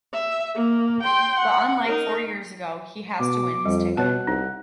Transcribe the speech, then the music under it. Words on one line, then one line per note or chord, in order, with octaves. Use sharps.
But unlike four years ago, he has to win his ticket.
E5
A#3
G5 C6
F#5
D#4 A#4
B2 D6
F2 G3
B2 C#5 F#5 A5
C2 D#4